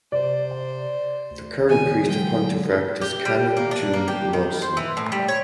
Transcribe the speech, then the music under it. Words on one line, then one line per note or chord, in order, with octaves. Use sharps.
The current Priest of Pontefract is Canon June Lawson.
C3 C5 D5
D2
D#3 G#5
D3 F#3 G#3 G5
G4
G3
A#3
D4
A#3
G4
D#3
C5
E3
A2
G3
C#5